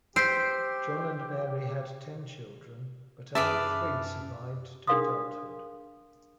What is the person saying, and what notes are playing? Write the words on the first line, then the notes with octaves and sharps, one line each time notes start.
John and Mary had ten children, but only three survived to adulthood.
G4 C5 E6 G6 B6 C7 D7
F#2 G#4 B4 D5 E5 A5 D6 F6
D4 G#4 A#4 F5 C6 D#6